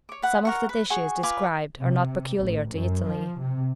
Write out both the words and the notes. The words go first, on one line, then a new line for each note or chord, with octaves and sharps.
Some of the dishes described are not peculiar to Italy.
C#5 D6
B4 F#5
A#4 F#5 C#6
B4
F#4 G#4 G#5 C#6
F4 B4 G#5 D6
C3
A1
F#2
F3
C3